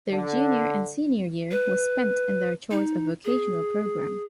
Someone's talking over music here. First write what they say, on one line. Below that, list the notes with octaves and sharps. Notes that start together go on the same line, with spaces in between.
Their Junior and Senior year was spent in their choice of vocational program.
D3
B4
D#4
G#4